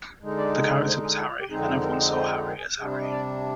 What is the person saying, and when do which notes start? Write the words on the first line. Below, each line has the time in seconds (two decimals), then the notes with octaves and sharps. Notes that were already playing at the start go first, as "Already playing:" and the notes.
The character was Harry and everyone saw Harry as Harry.
0.22 D3 G#3 D#4
0.38 D5
0.87 C5
1.03 G#4
1.19 F4
1.29 F4
1.40 G4
1.50 F2 D3 G#3 C4 D#4 G#4
1.82 A#4
2.15 C5
2.48 A#4
2.57 G#4
2.79 C3 G3 D4 G#4
2.91 C5
3.01 D#5
3.12 D5